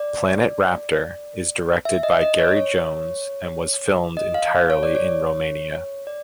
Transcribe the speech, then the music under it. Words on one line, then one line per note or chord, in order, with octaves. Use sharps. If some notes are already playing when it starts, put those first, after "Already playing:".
"Planet Raptor" is directed by Gary Jones and was filmed entirely in Romania.
Already playing: D5
E5
D#5
D#5
C#5
C#5
D#5
F5
C#5
D5
C#5
D5